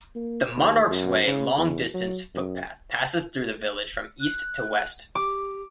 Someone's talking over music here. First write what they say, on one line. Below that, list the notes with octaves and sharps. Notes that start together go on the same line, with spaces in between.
The Monarch's Way long distance footpath passes through the village from east to west.
A#3
D#2
F#2
C#3
E2
F#3
F#2
F#6
G4 D6